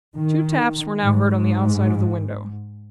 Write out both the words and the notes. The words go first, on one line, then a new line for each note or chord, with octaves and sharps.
Two taps were now heard on the outside of the window.
D#3
G#2